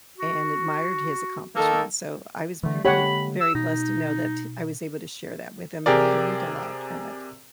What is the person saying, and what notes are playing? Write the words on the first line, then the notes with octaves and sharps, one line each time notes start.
and admired his accomplishments, so, I was very very blessed to know that I was able to share that with him, and he learned a lot from it.
F#4
D#3 A#3 A4
D3 E3 A3
D3 G#3 A#3 G4 C#5 F#5 B5
E6
B2 D#4
C3 G4 G#4 A#4 D5